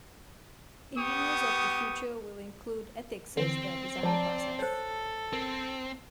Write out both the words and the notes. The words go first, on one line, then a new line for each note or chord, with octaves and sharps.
Engineers of the future will include Ethics as their design process.
B3 G4 C#6 D#6
D3 E3 C4
F3 C#5 D5 A5 A#5
A4 C5 C#5
C4 A#4